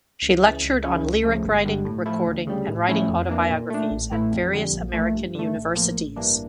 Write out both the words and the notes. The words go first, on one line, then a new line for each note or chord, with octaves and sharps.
She lectured on lyric writing, recording, and writing autobiographies at various American universities.
C#2
C#3 E3
C#2
C#3 F3 C#4 E4
C#2
C#3 F3 A3
G1
G2 D3 G3
A2
F3 A3 E4
D2
C#3 G3
A2
F3 A3 C#4 E4
F2
E3 A#3 D4
A#2
A3 D4
A1
A2 E3 A3 E4
F2
D3 G3
A#1
A#2 A3
G2
D3 A3
A1
A2 F3 A#3
A1
G2 E3 A#3 D4